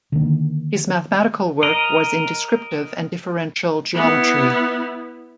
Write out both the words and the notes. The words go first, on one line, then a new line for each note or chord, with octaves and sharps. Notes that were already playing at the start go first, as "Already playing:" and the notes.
His mathematical work was in descriptive and differential geometry.
D3 D#3 A#3
A#4 D#5
B3 E4